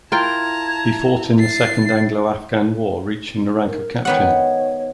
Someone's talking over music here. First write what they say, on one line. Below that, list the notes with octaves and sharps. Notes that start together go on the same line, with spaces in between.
He fought in the Second Anglo-Afghan War, reaching the rank of captain.
E4 F4 A#4 G5 A5 A#5 G#6
A6 C7
A#4
D#3 B3 C#5 F#5